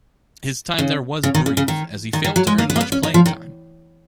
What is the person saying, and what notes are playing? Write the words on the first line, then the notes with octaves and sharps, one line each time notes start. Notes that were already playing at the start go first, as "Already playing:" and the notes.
His time there was brief, as he failed to earn much playing time.
C#3
C#3
D#3
C#3
C#3
D#3
D#3
D#3
F#3
G#3
A#3
B3
A#3
B3
C#4
D#4
F3
D#3